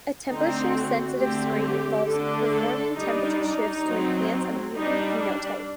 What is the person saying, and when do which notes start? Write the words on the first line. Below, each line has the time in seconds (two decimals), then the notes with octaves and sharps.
A temperature sensitive screen involves performing temperature shifts to enhance a mutant phenotype.
0.28 D3 A3 C4 D#4
0.73 F#4
1.17 D3 A3 C4 G4
1.63 G4
2.07 D3 A3 D4 A4
2.52 A4
2.96 G3 D4 D#4
3.41 D#4
3.85 F#3 C4
4.75 G3 D4 D#4
5.20 D4